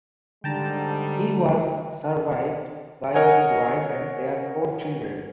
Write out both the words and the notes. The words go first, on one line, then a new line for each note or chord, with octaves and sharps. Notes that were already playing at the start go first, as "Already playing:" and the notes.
He was survived by his wife and their four children.
G#2 D3 G3 G5 A5 A#5
A#4 C#5 D#5 F#5 G#5